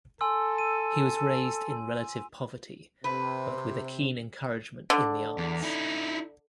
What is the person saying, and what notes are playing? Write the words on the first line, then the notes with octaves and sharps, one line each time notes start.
He was raised in relative poverty, but with a keen encouragement in the arts.
A4 G#5 C6 E6
D#7
C3 B4
D3
E2
D#4 E4